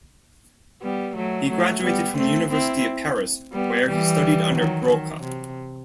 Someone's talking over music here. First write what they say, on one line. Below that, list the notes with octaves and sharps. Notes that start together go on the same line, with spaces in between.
He graduated from the University of Paris where he studied under Broca.
G3 B3
F#3 A3
F#3 A3
G3 B3
A3 C4
C4 E4
G3 B3
E3 G3
D#3 F#3
D#3
C3